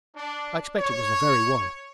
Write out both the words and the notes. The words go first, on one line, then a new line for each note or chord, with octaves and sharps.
I expect it was the very one!
D4
C#5